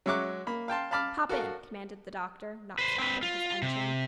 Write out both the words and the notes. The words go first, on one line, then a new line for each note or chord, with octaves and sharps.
"Hop in," commanded the doctor, not stopping his engine.
F#3 G#3 E5 C#6 D6 F#6
A#3 B5
F5 G5 A5 C6
F5 A5 B5 D6 F6
F#4 A4 A#4 F5
B4 C5
C4 B4
F4
C3